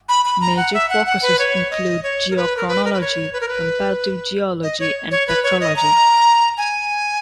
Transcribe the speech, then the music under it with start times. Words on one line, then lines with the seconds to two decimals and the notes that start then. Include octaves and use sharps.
Major focuses include geochronology, comparative geology, and petrology.
0.09 B5
0.25 B5
0.41 A#5
0.57 F#5
0.74 E5
0.89 F#5
1.06 F#5
1.22 B4
1.39 C#5
1.71 D#5
2.03 C#5
2.31 A#4
2.36 B4
2.57 A#4
2.68 B4
2.85 A#4
2.93 B4
3.01 C#5
3.33 B4
3.41 A#4
3.49 B4
4.63 D#5
4.79 C#5
5.11 C#5
5.28 B4
5.43 C#5
5.60 D#5
5.76 A#5
6.58 G#5